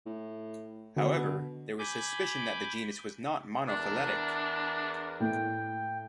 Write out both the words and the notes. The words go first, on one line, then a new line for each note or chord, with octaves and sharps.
However there was suspicion that the genus was not monophyletic.
A2
B2 D3
G#5 B5 D6 G6
E2 D4 A#4
A2 G5